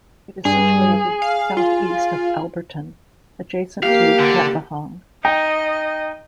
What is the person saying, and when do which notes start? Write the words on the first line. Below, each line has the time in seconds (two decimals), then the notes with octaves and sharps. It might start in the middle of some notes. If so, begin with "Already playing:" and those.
It is situated south east of Alberton, adjacent to Katlehong.
0.45 G2 G#4
1.22 F5
1.57 F4
3.83 A#3 G4 F5
4.19 D3
5.25 D#4 D#5 G5